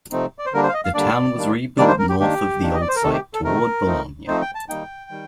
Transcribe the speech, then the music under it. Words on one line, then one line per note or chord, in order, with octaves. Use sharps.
The town was rebuilt north of the old site, toward Bologna.
C3 F3 A3 C4 D#4
D5
C5
D3 G3 A#3 D4 A#4
C5
F5
D#5
F5
D3 G3 A#3 D4 D5
D#3 G3 A#3 D4
D#3 G3 A#3 D4 D5
C5
A#4
G4
D#3 A#3 D4 G4
D#3 A#3 D4
D#5
D5
C5
A#4
C3 D#3 A3 A4
G4
A4
C3 D#3 A3 A#4
F3 A3 C4 D#4
F3 A3 C4 D#4 C5
G5
A5
D#3 G3 A#3 D#4 G5
D#3 G3